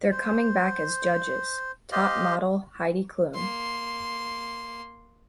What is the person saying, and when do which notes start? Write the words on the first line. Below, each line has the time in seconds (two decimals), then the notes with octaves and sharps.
They're coming back as judges, top model Heidi Klum.
0.12 C5
1.92 G4 C5 D#5 F5
3.34 A#3 C6